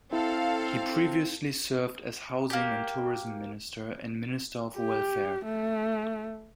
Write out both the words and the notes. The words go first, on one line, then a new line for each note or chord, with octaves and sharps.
He previously served as housing and tourism minister and minister of welfare.
C4 E4 A4 F5
A#3 G4
G4
A3